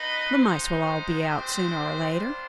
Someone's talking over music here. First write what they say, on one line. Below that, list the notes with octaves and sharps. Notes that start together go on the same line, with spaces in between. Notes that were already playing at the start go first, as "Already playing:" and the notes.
The Mice will all be out sooner or later.
Already playing: B3 D#4 B4 D#5
G#3 B3 D#4 C5
C5
G#3 C4 G4 B4
G3 D4 F4